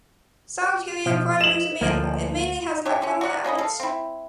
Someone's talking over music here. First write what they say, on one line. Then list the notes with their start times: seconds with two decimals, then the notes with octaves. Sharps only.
Solitary and quite elusive animal, it mainly has nocturnal habits.
1.06 B2 F3
1.41 D#5 E7 F#7
1.81 D2 F3 A3 A#3 C5 D5
2.85 C#4 G4 C#5 E5
3.02 D3 C#4
3.21 F#4 A#4 D5 F#5
3.44 A#3 C#4 E4 D#5
3.58 A4 F5
3.80 C4 E4